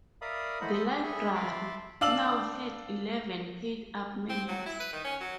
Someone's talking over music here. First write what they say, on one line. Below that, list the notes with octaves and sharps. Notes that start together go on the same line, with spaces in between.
The library now had eleven paid-up members.
A#4 D5 E5 F5 B5 D#6
A3 E4 C5 D#5 F#5 B5
C5 A5 B5 D#6 E6
G4
G#4 E5 G#5 B5 C#6
E5 A5 B5 C6 D6
D4 F5 E6 F#7
C4
F#3
E4
B4
D#3
C#4
F#3